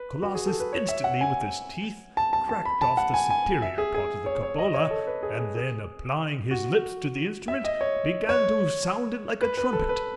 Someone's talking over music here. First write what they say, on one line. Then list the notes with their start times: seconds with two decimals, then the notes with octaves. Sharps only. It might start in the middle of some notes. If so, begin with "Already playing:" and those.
Colossus instantly, with his teeth, cracked off the superior part of the cupola, and then applying his lips to the instrument, began to sound it like a trumpet.
Already playing: B4
0.22 F#4
0.35 G#4
0.47 A4
0.60 B4
0.73 C#5
0.89 E5
1.04 F#5
1.21 G#5
2.17 A5
2.33 A5
2.49 A5
2.65 B5
2.82 A5
2.97 F#5
3.14 G#5
3.30 G#5
3.62 E5
3.78 G#4
3.94 G#4
4.26 C#5
4.43 C#5
4.59 D#5
4.75 C#5
4.91 A4
5.07 B4
5.23 G#4
5.39 G#4
5.55 G#4
6.51 F#4
7.48 E5
7.64 D#5
7.81 C#5
8.29 C#5
9.41 B4
9.57 B4
9.73 A4
9.89 B4